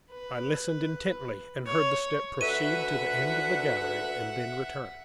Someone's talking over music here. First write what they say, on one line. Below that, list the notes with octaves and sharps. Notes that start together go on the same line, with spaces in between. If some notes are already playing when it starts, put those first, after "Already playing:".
I listened intently, and heard the step proceed to the end of the gallery and then return.
B4
C#5
D2 B4 E5 F#5 D#7